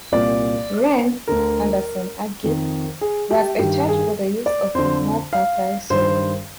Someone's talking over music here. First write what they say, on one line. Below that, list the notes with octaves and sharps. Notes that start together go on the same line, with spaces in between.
Rent, Anderson argued, was a charge for the use of the more fertile soil.
C2 A#2 D5
D2 D3 A#4
F2 D#3
G#4
G4
G2 D#3 G4
G#4
D5
F2 D3 C5
F5
G2 D#3 C5